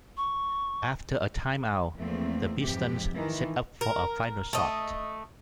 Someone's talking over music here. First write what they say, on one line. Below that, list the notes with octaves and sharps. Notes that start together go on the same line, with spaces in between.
After a time out, the Pistons set up for a final shot.
C#6
E2 F3 A3 A#3 C4
F2 G#2 C3 E3 G4
D#3 E3
A#4
A3 D#5